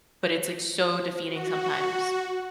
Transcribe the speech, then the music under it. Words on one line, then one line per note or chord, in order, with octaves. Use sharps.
but it's, like, so defeating sometimes
F#4